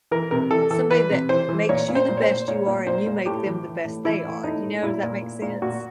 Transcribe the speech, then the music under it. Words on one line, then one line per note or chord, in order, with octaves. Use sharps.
somebody that makes you the best you are, and you make them the best they are, you know, does that make sense?
E3 A#4
C3 A#4
E3 A4
E3 A4
E3 B4
C3
E3 C5
E3
A#2 C#5
A#2
C5
A#2
C#5
C5
A#2
A#2 C#5
A#2
A#2 C5
A#2
A2 G4
E3
E3
A2
E3 E4
A2
A2 D#4
A2
A#2 E4
A#2
A#2
A#2
A#2 F#4